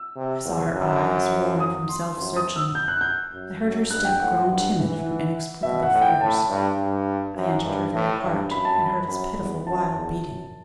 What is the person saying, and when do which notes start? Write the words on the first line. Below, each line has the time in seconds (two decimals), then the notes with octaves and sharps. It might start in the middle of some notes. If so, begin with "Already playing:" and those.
I saw her eyes, worn from self-searching; I heard her step grown timid from inexplicable fears; I entered her very heart and heard its pitiful, wild beating.
Already playing: E6
0.16 C3
0.45 E2
0.74 F#2
1.60 D#6
1.89 C6
2.17 F#2 C6
2.36 D#6
2.56 E6
2.75 G6
2.88 F#6
3.01 G6
3.32 F#2
3.62 F#2
3.90 G2 F#6
4.05 G5
4.19 A2 F#5
4.33 F#5
4.48 G2 F#5
4.77 E3
5.63 B2 E5
5.83 F#5
5.92 A2
6.02 G5
6.21 A2 A5
6.28 B5
6.35 A5
6.49 G2
6.78 G2
7.35 F#2
7.65 G2
7.94 A2
8.22 G2
8.51 F#2 B5
8.65 A5
8.79 B5
9.08 F#2 B5
9.37 E2
9.66 F#2 A5
9.95 E2
10.23 F#2